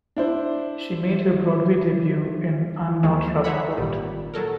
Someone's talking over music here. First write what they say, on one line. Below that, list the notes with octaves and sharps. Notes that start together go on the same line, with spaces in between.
She made her Broadway debut in "I'm Not Rappaport".
D4 E4 C5
D#2 D#3 F3 G#3
D#4 G#4 C#5 E5 F#5 B5
G#1 A#2 G3
F#3 A4 A#4